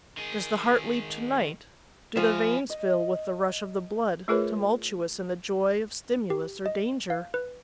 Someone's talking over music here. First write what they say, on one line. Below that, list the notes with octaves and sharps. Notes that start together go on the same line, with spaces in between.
Does the heart leap to-night, do the veins fill with the rush of the blood, tumultuous in the joy of stimulus or danger?
D#3 G#4
F3 E5 G#5
D#5
A3 F4 G#4 A#4 B4 C#5
G4
D#5
F5
B4